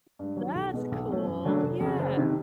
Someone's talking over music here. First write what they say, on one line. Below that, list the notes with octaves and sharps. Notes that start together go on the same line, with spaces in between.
That's cool. Yeah.
G2
D#3 F#3
B1
B2 G#3 B3
B1
B2 F#3 A3 C#4
F#2
D3 F#3 A3 D4
F1
F2 C#3
F#1
C3 D#3